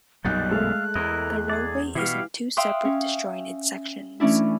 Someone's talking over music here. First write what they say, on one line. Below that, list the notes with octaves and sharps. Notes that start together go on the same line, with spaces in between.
The roadway is in two separate disjointed sections.
B1 F#2 A#2 G3 D#4 F#6 A6
G#3 A3 E5 F5
E2 E4 A#4 D#5
G#4 D5
B2 E3 E4 G4 F5
E5 F5 G5 C6 D#6 F#6
C#4
E3 A3 C#4 D4 E4